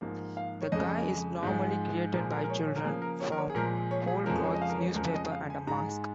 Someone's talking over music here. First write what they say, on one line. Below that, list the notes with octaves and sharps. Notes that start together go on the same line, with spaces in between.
The "guy" is normally created by children, from old clothes, newspapers, and a mask.
G#2 F3 A#3
F5
C#5
F2 C#3 G#3 D#5
G#2 F3 G#3
A#2 F3 G#3 A#4
A#4
A#4
C#5
C#5
A#4
C#3 F3 A#3 G#4
A#4
C#5
A#4
C#5
G#4
A#2 F3 G#3 A#4
C#5
G#4
F2 C#3 F3 G#3 A#4
C#5
D#5
F5
A#4
C#5
F2 C#3 F3 G#3 A#4
D#5
F5
G#5
G#2 G#3 A#5